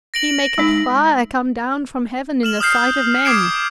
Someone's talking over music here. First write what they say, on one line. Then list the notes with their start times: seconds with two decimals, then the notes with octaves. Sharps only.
He maketh fire come down from heaven in the sight of men!
0.14 A#6 D7 F#7
0.58 G#3 D#4
2.43 F6 E7 F#7
2.60 D#6 F6 G6 C7
3.25 D6 D#6 G#6 C7 D7 E7